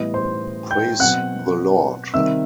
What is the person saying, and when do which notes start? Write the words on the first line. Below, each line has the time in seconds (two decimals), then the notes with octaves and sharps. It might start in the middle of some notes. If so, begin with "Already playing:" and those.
Praise the Lord!
Already playing: A2 E3 G3 B3 D#5
0.14 C5 C6
0.71 G5 G6
0.99 B2 F#3 C4 F#5 F#6
2.14 C3 D#3 G3 C4 E5 E6